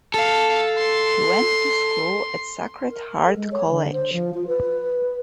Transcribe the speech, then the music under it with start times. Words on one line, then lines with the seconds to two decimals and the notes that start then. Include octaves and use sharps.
He went to school at Sacred Heart College.
0.14 A4 F5
0.78 C6
2.90 A#4
3.24 A4
3.36 G#3
3.52 C#5
3.69 D3
3.93 C5
4.13 F3
4.34 F4
4.47 B4